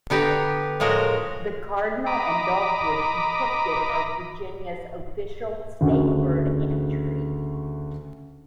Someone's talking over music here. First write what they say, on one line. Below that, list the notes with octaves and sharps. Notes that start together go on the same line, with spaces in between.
The cardinal and dogwood depicted are Virginia's official state bird and tree.
D3 B3 G4 B4 A#5
A2 F3 G#3 F#4 A#4
D#5 A#5 B5 D6
D2 C#3 F#4